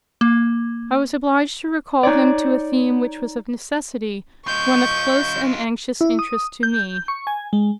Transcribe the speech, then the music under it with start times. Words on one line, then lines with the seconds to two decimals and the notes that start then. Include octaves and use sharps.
I was obliged to recall him to a theme which was of necessity one of close and anxious interest to me.
0.21 A#3
2.03 D#4 C#5 D5
4.48 F4 D#5 C#6 G6
6.01 E4
6.19 D#6
6.63 G6
7.08 C#6
7.27 G#5
7.53 G#3